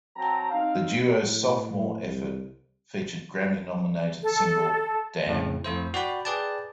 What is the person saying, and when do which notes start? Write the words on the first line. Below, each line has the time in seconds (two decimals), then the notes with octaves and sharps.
The duo's sophomore effort featured Grammy-nominated single Damn!
0.16 F#3 C4 G5 A5 A#5
0.50 C4 D#4 F5
1.21 A2
1.73 A2
2.03 C2
4.23 A4
5.27 F2 A2 C#3
5.64 F2 A3 E4 C5
5.94 F#4 D5 G5 B5
6.25 G#4 B4 D5 G5 A5